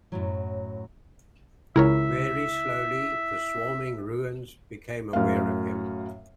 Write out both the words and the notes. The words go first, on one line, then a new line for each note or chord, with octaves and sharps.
Very slowly the swarming ruins became aware of him.
F#2 A2 F#3
C#2 E4 A#4 C#5 E5
F#2 A2 A#4 F5